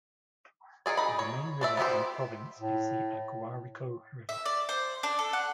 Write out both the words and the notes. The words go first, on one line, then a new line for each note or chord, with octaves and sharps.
The main river in the province is the Aguarico River.
D#3 F3 G#4 D5
D#4 B5
C#5
D4 D5 E5
B3 C4 E4 G4 C5
A2
E5
D5
C5
D4
A4
F#5